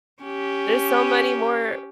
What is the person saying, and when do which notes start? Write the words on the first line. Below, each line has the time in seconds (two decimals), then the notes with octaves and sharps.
there's so many more
0.23 C#4 G4